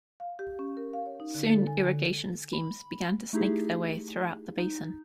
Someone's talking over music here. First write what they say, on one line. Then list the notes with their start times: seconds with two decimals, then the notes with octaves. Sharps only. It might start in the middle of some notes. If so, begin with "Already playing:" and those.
Soon irrigation schemes began to snake their way throughout the basin.
0.20 F5
0.39 G4
0.59 C#4
0.77 A#4
0.93 F5
1.06 C#5
1.20 D#4
1.35 D3
1.50 A4
1.67 G#5
1.84 D3
2.53 B5
3.33 A3 D#4 E4 G4 G#4
4.57 D#4